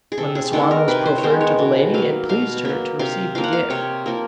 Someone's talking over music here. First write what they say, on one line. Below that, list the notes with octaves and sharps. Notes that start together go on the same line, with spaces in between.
When the swan was proffered to the lady it pleased her to receive the gift.
G#4
C3 A4
G#4
D#3 G#3 B3 A4
A#4
C3 B4
C5
C#5
D#3 G#3 B3 C5
C#5
B2
F#3 A#3 F5
B2 F5
F#3 A#3
C3 F5
F3 A#3 F5
F#5
F5
C3 C#5
F3 A#3